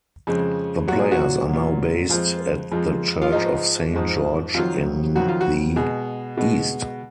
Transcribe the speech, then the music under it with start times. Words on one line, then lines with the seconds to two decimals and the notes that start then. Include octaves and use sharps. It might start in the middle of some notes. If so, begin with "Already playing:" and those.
The Players are now based at the church of Saint George in the East.
0.27 F2 C#3 G#3
0.88 A#2 F#3 F#4
1.00 G#4
1.12 F#4
1.49 A#2 F#3
2.10 F2 F3 G#3 F4
2.72 F2 F3 G#3
3.22 F4
3.32 G#2 F3 G#3 D#4
3.93 G#2 F3 G#3
4.54 F2 D#3 F#3 F4
5.15 F2 D#3 F#3 F#4
5.28 F4
5.41 F#4
5.76 B2 G#3 G#4
6.37 B2 G#3